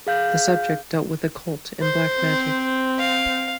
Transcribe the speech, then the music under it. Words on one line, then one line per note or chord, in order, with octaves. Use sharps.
The subject dealt with occult and black magic.
G#4 F5 G6
C5
C4
F5